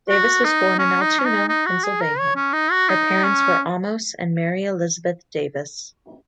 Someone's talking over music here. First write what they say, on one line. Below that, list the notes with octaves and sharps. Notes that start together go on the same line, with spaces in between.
Davis was born in Altoona, Pennsylvania; her parents were Amos and Mary Elizabeth Davis.
F#4
D#4
C#4
D#4
C#4
D#4
D#4
F#4
G#4
A#4
C#5
C#4
D#4
F#4
D#4
C#4